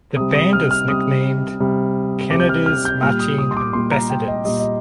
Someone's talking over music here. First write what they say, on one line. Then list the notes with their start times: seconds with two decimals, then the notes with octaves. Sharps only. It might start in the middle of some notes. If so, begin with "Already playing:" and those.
The band is nicknamed "Canada’s Marching Ambassadors".
0.16 C3 G3 D#6
0.35 D#6
0.53 F6
0.71 F6
0.88 C3 G3 D#6
1.60 C3 G3
2.30 C3 G3 D6
2.40 G6
2.49 F6
2.66 F6
2.85 G6
3.02 A#2 G3 F6
3.20 D#6
3.39 D#6
3.51 C6
3.57 D6
3.73 A#2 G3 C6
3.91 A#5
4.10 G5
4.28 D#5
4.45 A#2 G3 D#5
4.60 D#5